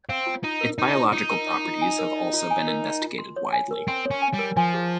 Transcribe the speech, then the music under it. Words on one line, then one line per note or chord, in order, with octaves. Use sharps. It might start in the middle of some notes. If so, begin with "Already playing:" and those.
Its biological properties have also been investigated widely.
C4 F5
F4
D#4 F4
A#4
D#4 D#5
F4
D#4 F4
A#4
D#5
F4
G#5
A#4
D#5
F4
G#5
A#4
D#5
F4
C6
C#5
G#5
A#4
C4 C6
C#5
C#4
G#5
G3
A#4
F3 G#5
G#4